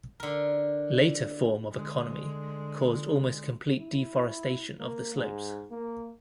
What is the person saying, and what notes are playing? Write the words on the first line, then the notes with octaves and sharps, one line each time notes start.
Later form of economy caused almost complete deforestation of the slopes.
D3 A#4
D3 G#3
E4
A#3
G#2
A#3